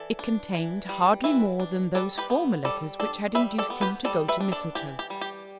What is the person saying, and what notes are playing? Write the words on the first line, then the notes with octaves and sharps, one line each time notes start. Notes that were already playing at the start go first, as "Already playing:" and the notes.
It contained hardly more than those former letters which had induced him to go to Mistletoe.
Already playing: E3 A4 D5
D4
E3
G3
E3 B4 E5
D4
G3 A4 D5
G4 B4
B3
G3 A4 D5
D4 A4 D5
G3 B4 E5
A4 D5
B3
G4 B4
G3 A4 D5
B4 E5
D4
A4 D5
E3 G4
G4
G3
G4